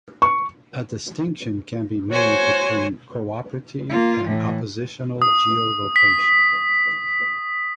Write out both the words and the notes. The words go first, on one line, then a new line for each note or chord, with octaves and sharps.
A distinction can be made between "co-operative" and "oppositional" geolocation.
C#6
F#4 C5 C#5 G#5
A#3 F4
A2 E3
D#6
B6